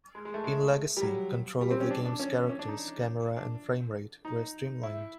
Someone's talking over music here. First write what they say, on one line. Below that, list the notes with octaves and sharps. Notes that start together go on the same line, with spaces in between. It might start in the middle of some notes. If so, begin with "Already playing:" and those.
In "Legacy" control of the game's characters, camera, and frame-rate were streamlined.
G#3
G#3
A3
G#3
G3
F#3
G3
C4
C#4
D4
D4
C#4
C#4
D4
D#4
D4
D#4
E4